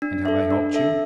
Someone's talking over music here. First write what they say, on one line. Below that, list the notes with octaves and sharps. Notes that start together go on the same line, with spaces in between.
"And have I helped you?"
D4
A4 E5
D4
A4 E5